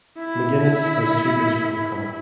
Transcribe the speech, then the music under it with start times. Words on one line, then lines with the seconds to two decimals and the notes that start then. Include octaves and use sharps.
McGinnis has two books forthcoming.
0.19 E4 B5